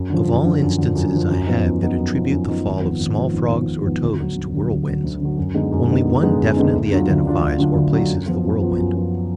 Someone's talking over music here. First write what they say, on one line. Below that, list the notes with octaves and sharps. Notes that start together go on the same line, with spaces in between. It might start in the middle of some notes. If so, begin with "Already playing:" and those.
Of all instances I have that attribute the fall of small frogs or toads to whirlwinds, only one definitely identifies or places the whirlwind.
Already playing: F#2
D3 F3
F#2
D3 F3
F#2
D3 F3
F#2
D3 F3
F#2
F3 B3 D#4
F#2
F3 B3 D#4
F#2
F3 B3 D#4
F#2
F3 B3 D#4
G#1
G#2 F3 B3
G#1
G#2 F3 B3
G#1
G#2 F3 B3
G#1
G#2 F3 B3
D2
D3 F#3
D2
D3 F#3
D2
D3 F#3
D2
D3 F#3
F#2
D3 G#3 B3 D#4
F#2
D3 G#3 B3 D#4
F#2
D3 G#3 B3 D#4
F#2
D3 G#3 B3 D#4
D2
D3 F#3 D4 F4
D2
D3 F#3 D4 F4
D2
D3 F#3 D4 F4
D2
D3 F#3 D4 F4
F#2
F3 B3 F4
F#2
F3 B3 F4
F#2
F3 B3 F4